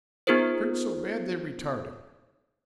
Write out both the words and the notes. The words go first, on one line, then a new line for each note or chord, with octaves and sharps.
Hurt so bad they retired him.
B3 D#4 F4 G#4 A#4 C5